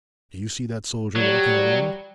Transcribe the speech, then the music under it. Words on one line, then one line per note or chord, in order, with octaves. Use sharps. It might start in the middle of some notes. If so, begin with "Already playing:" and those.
Do you see that soldier walking along?
F#3 G3